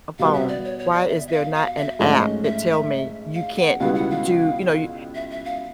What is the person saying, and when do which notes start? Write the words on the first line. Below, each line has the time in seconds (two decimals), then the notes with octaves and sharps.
a phone. Why is there not an app that tell me, 'You can't do'" you know, y
0.19 B2 G3 B3 F5
0.33 E5
0.48 D5
0.65 C#5
0.79 C#5
0.94 D5
1.09 E5
1.27 E5
1.32 F5
1.54 F5
1.77 E5
1.99 G#2 F3 A3 C#4 D#5
2.44 E5
3.35 F5
3.57 F#5
3.80 C#2 B2 G3 B3 E4 F5
3.95 F#5
4.10 F5
5.15 E5
5.31 E5
5.45 F5